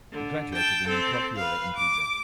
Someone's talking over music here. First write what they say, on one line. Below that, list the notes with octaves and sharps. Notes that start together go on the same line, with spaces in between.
He graduated in utroque iure in Pisa.
D3
G5 A5
C4 A4
B4 F5
D6